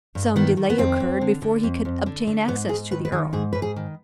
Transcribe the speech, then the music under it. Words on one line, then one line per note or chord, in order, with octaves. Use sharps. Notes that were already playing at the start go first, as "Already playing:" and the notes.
Some delay occurred before he could obtain access to the earl.
G2
D#3 B3
D#3
B3
F2 C4
F2
D3
D3
F2
F2
D3
D3
G#2 B3
G#2 G#4
D#3 B4
B4
D#3 G#4
G#2 G#4
G#2 B4
G#4
D#3